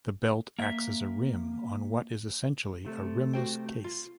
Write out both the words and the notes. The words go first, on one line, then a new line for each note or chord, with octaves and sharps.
The belt acts as a rim on what is essentially a rimless case.
A#3 E5
C3 A3
F#4 C5 G5
F4